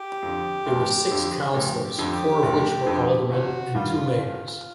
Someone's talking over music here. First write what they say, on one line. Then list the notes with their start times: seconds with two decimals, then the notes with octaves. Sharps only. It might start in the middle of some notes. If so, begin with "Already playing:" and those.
There were six councilors, four of which were aldermen and two mayors.
Already playing: G4
0.22 F2 D3
0.66 F1
1.11 F2 D3
1.54 F1 G4
1.83 G4
1.98 F2 D3
2.13 G4
2.43 F1
2.87 F2 D3
3.30 G1 F#4
3.74 G2 D#3 G3 F4
4.18 G1 F4